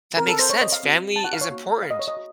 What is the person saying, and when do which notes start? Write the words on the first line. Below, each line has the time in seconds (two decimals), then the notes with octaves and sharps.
that makes sense. Family is important.
0.17 C4 F4 A#4
0.28 A4
0.39 C5
0.50 C#5
0.61 D#5
0.72 F5
0.84 C4 F#4
1.16 A5
1.24 F#5
1.33 F5
1.41 C#5
1.50 A#3 D#4 F#4
1.83 F5
1.91 D#5
1.99 C#5
2.08 D#5
2.17 F#4